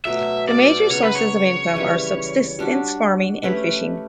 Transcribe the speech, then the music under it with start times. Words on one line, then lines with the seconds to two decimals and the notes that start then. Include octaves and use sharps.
The major sources of income are subsistence farming and fishing.
0.05 B2 F#3 A3 E5
0.49 D5
0.90 C#3 F#3 B3 C#5
1.03 B4
1.15 C#5
1.74 C#3 E3 G3
2.59 G3 D4 F#4
3.43 A3 C#4 G4 B4